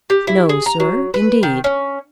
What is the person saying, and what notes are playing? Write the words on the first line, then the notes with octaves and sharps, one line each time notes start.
"No, sir,--indeed."
G4
E4
G#4
A#5
F#3
B4
D#3
C#4